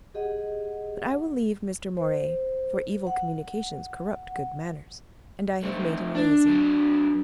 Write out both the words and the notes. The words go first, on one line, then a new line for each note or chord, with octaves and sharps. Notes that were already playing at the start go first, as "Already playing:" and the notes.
But I will leave Mr. Moray, for 'evil communications corrupt good manners,' and I have made him lazy.
G4 G#4 D#5 F#5
C5
F#5
A3 C4
D4
F#3 D4